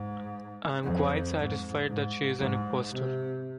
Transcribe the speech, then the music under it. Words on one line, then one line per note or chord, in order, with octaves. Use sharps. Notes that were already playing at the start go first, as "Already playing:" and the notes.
I am quite satisfied that she is an impostor.
Already playing: G#2
F2
G#2
G#2
G#2
C3